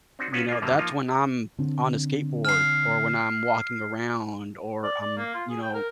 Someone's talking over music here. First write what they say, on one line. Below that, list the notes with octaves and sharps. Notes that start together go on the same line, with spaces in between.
you know, that's when I'm on a skateboard or when I'm walking around or, um, you know,
C4 D4 D#4 F#4
B3 C#4 F4 F#4 A4 B4
A#3 F4
F#2 D3 F#3 G3 A#3
F3 A#3 D#4 F4
D3 C4 D4
F6 C7
D5
D5
A#3
F4
G#4
G5
A#4